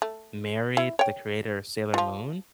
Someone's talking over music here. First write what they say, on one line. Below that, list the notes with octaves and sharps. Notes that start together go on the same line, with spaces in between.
married the creator of Sailor Moon.
A3
E4
C#5 G5
F3 F4